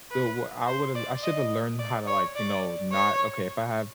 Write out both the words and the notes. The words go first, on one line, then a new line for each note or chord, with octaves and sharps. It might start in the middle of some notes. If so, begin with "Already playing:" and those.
the w I would've I shoulda learned how to, like, you know, not okay, if I have
B4
C5
D5
D#5
D5
C#5
D5
C#5